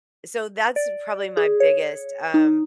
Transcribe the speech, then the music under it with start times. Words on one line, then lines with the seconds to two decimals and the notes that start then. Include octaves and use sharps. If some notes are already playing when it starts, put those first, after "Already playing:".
so, that's probably my biggest, um
0.76 D5
1.37 G#4
1.60 C#5
2.34 D#4